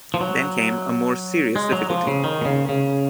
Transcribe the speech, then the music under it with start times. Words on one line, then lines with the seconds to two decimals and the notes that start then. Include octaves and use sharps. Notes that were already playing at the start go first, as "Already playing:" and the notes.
Then came a more serious difficulty.
0.14 F3
0.21 F#3
1.56 G#3
1.72 F#3
1.90 F3
2.07 C#3
2.24 D#3
2.41 B2
2.45 C#3
2.69 C#3